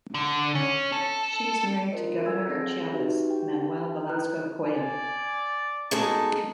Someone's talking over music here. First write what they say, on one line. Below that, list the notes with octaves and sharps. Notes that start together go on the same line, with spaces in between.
She is married to Governor of Chiapas, Manuel Velasco Coello.
D3
C#4
A4
F4 A#4 C5 D#5
A4 G#5 E6 G#6
C4 G#4 A#6
D#4 F#4 G4 B4 E5
G4 G5
E4 B4 F#6
D5 G#5
B2 G#3 D#4 A4